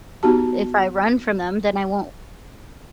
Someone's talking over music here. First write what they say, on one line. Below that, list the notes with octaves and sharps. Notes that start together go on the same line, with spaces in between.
if I run from them, then I won't
B3 D#4 F#4 G4 A5